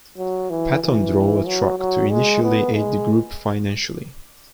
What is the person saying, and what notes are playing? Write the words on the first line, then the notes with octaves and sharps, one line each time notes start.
Paton drove a truck to initially aid the group financially.
F#3
E3
E3
F#3
F#3
G#3
B3
G#3